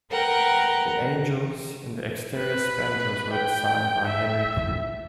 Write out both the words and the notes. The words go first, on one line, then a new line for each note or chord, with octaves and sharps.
The angels in the exterior spandrels were designed by Henry Poole.
A#4 B4 F#5 G5
B4
G5
E5